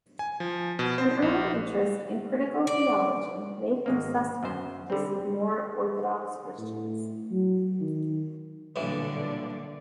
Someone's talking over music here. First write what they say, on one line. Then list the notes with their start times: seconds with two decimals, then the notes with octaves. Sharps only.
An early interest in critical theology made him suspect to some more 'orthodox' Christians.
0.19 G#5
0.40 F3
0.79 B2
0.98 C5
1.22 A#1
2.67 D5
3.86 G#1 G#3 A#3
4.43 F#2 C5
4.90 D3 G3 C4
6.58 A2
7.31 F#3
7.80 D#3
8.76 B1 G2 A#2 D3 E3 D5